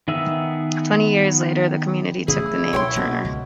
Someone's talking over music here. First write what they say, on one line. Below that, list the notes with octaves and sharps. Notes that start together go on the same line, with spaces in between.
Twenty years later, the community took the name "Turner".
D#3 B3 G#4 E5 E6
C#3 E3 A3 E4 G#4
B1 C#5 G5 C6
B2 F3 A#3
C#2